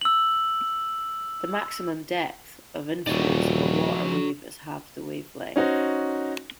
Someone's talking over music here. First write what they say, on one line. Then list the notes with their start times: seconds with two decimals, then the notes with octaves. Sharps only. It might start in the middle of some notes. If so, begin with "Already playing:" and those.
The maximum depth of influence of a water wave is half the wavelength.
0.01 E6 F#7
3.07 D#1 F3 D#4 F#4 C#5 D5
5.56 C#4 D#4 F#4 C5